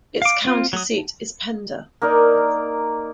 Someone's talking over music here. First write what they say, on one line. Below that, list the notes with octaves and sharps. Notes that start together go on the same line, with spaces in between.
Its county seat is Pender.
F5 D6
C4 F4
F#3 D#6
A#3 D#4 A#4 D5